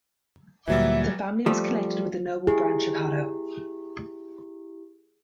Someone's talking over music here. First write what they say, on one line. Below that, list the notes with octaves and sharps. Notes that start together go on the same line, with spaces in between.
The family was connected with the noble branch of Haddo.
D2 A#2 E3 F#3 G3 E5
F3 G3 A3
E4 G4 G#4